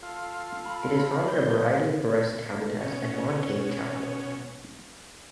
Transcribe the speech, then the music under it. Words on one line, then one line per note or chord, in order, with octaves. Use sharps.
It is found in a variety of forested habitats and montane chaparral.
F4 A4 F5
B5
F3 G#3 B3 G6
F5
B2 C#4